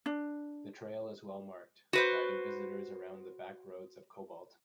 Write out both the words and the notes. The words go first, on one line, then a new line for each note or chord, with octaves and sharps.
The trail is well marked, guiding visitors around the backroads of Cobalt.
D4
F#4 B4 C5